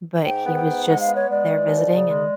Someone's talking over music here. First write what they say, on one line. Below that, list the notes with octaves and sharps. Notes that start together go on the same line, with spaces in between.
but he was just there visiting and
G#2 G5
B3
G5
G#2
G#3 F#5
B3 F5
C#5
G#3
D5
E3
D#2
C#3
G#3